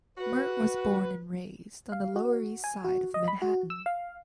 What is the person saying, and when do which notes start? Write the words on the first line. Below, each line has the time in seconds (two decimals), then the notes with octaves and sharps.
Marte was born and raised on the Lower East Side of Manhattan.
0.18 F#4 B4
1.92 F5
2.16 F#4
2.64 G#5
2.84 F#4
3.14 D#5
3.28 B5
3.42 F#4
3.70 E6
3.86 F5